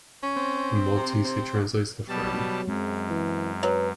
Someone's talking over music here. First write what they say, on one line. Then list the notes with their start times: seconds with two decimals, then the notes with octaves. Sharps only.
In Maltese it translates to "friend".
0.23 C#4
0.36 C4
0.96 C3
1.25 C4
2.09 B2 F#3 G3 A5
2.68 F#2 G#3 C4
3.09 E3
3.63 F#3 B4